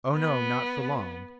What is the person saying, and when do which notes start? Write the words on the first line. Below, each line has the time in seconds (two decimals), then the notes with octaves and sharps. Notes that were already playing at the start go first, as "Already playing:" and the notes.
Oh no, not for long.
0.14 B3